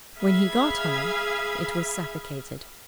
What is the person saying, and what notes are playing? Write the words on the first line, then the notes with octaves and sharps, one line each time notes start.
When he got home, it was suffocated.
G#4 E5 F5 B5 G#6